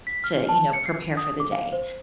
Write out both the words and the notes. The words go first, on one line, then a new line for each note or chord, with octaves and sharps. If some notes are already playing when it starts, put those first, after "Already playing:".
to, you know, prepare for the day,
B6
F6
A5
C#7
C7
D#6
D6
F5
C5